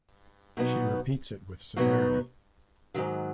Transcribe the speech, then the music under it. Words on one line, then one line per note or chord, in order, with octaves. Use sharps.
She repeats it with severity.
B2 F#3 B3 D#4
B2 F#3 B3 D#4
G#2 D#3 F#3